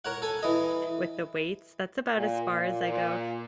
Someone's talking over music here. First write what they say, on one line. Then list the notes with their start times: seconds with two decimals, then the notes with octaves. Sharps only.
with the weights, that's about as far as I go.
0.05 A#4 C#5 F#5
0.22 A4 G#5
0.43 E3 D#5
2.15 A#2
2.51 A#2
2.83 A#2